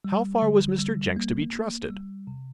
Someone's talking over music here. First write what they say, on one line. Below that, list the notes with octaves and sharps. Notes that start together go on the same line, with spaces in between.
How far was Mr. Jenks to be trusted?
G3
D3
G3
A#3
A#3
G3
C3